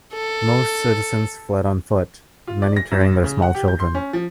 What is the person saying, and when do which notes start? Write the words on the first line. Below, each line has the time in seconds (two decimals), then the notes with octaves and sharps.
Most citizens fled on foot, many carrying their small children.
0.14 A4
2.47 F4
2.62 D5
2.76 A#6
2.91 F#2
3.24 C#3
3.42 F#5
3.55 G4
3.68 G6
3.80 C6
3.95 C#4
4.13 F3